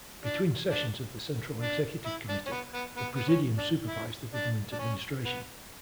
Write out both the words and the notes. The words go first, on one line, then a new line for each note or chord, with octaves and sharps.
Between sessions of the Central Executive Committee, the Presidium supervised the government administration.
D4
D4
D4
E4
D4
C#4
B3
B3
B3
B3
C#4
D4
E4
D4
D4
C#4
B3